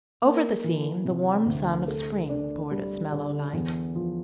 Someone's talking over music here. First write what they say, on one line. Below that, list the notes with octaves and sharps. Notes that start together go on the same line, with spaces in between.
Over the scene the warm sun of spring poured its mellow light.
A#3
E3
C3
D2
A4
D4
G3
D3
E2
F3